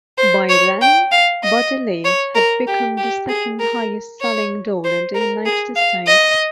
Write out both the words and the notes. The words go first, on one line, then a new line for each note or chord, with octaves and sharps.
By then, Buddy Lee had become the second-highest-selling doll in the United States.
C5
C#5
G5
F5
D#5
C#5
A#4
G4
G4
G#4
A#4
C#5
C5
A#4
G#4
F5
D#5